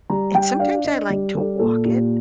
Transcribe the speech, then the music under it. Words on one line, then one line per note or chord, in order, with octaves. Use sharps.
and sometimes I like to walk it
G3 A#5
G3 G5
D4 F5
D4 D#5
G3
G3 A4
A#2 A4
A#2 G4